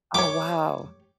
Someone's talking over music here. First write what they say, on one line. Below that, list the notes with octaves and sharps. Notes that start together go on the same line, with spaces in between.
Oh, wow.
G4 C#5 D6